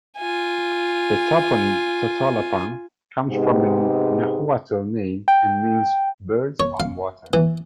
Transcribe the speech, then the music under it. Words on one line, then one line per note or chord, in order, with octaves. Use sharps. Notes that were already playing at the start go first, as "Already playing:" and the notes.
The toponym "Totolapan "comes from a Nahuatl name and means "birds on water".
F4 G#5
G#2 C3 G#3 B3 D#4 G4
G5
C#5
F5
E3